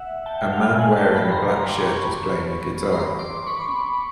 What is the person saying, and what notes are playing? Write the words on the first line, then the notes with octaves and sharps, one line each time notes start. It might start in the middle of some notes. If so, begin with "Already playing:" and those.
A man wearing a black shirt is playing a guitar.
Already playing: E5 F#5
G5 A5
F5 G5
F#5 G#5
G5 A5
A5 B5
A#5 C6
A#5 C6
C6 D6
B5 C#6
B5
A#5 C6
C6 D6
B5 C#6